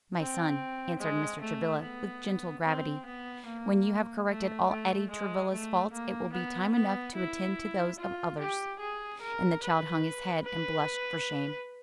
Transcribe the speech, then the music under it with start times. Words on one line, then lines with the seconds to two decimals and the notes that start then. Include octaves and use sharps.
"My son," answered Mr. Travilla with gentle gravity, "when you have corrected all Eddie Travilla's faults it will be time enough to attend to those of others." And the child hung his head and blushed for shame.
0.18 C4
0.99 G#3
1.41 A3
1.81 B3
2.64 C4
3.05 B3
3.46 A#3
4.28 A3
4.69 A3
5.10 G#3
5.51 A3
5.93 A#3
6.33 B3
6.74 B3
7.15 E4
7.98 F4
8.39 G4
8.79 G#4
9.21 A#4
9.63 B4
10.44 B4